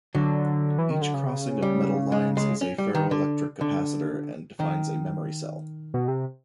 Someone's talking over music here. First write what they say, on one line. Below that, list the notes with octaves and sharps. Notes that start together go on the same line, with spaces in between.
Each crossing of metal lines is a ferroelectric capacitor and defines a memory cell.
D3 F#3
E3
D#3
D3
C#3
G3
G#3
G#3
C#4
G3
D#3
D3
D3
D#3
B2
C3